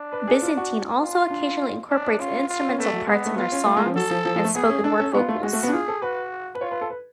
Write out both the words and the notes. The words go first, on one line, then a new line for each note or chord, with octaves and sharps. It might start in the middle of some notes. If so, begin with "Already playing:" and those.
Byzantine also occasionally incorporates instrumental parts in their songs and spoken word vocals.
Already playing: D4
B4
G#4
F4
F#4
F4
D4
D4
C#4 F4
F4
C#4
A3 B3
F#3
G#3 B3
A3
B3 F4
C#4
A3
G#3
F3
F#3 A4
F3
F3
F3
A3
B3 G#4
C#4
D4 A4
C#4
B3 F4
A3
G#3 F#4
A3
B3
D4
F4 G#4
A4
F#4 B4
B4
F4 C#5
B4
A4
B4